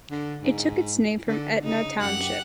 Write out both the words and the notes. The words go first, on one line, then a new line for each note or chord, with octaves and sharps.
It took its name from Etna Township.
D3
G#2
D3
C#3 D#4
F#2 G4 F#5